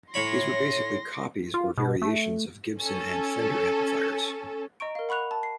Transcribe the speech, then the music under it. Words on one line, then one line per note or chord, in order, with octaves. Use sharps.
These were basically copies or variations of Gibson and Fender amplifiers.
A2 C#5 B5 C6 A#6
F4
B2
A3
C#4 A4
D#5 A#5 C#6 D7
A#4 F5
F#5 B5 C#6 F#6 F7
A5
C7